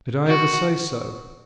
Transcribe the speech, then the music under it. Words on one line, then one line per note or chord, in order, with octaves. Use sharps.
"Did I ever say so?"
F#4